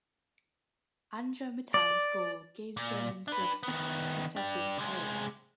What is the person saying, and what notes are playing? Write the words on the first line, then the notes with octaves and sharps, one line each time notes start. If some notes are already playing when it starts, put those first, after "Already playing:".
Anja Mittag's goal gave the Germans their sixth successive title.
D5
A#2
D4 B4
D#3 B3
D4 G4
C3 G#3